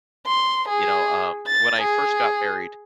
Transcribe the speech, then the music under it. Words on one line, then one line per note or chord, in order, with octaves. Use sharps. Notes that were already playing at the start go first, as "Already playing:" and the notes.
You know, um, when I first got married,
C6
G#4
A6
G#4